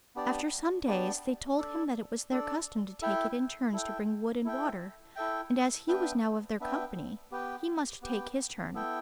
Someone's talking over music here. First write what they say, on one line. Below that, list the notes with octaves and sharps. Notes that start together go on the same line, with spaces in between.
After some days they told him that it was their custom to take it in turns to bring wood and water, and as he was now of their company, he must take his turn.
B3 D4 G4 D5
B3 D4 G4 D5
D4 A4 D5
D4 A4 D5
E4 A4 E5 G5
E4 A4 E5 G5
E4 A4 E5 G5
E4 A4 E5 G5
B3 D4 B4 E5 G5
B3 D4 B4 E5 G5
B3 G4 B4 G5
B3 G4 B4 G5
B3 E4 A4 E5 G5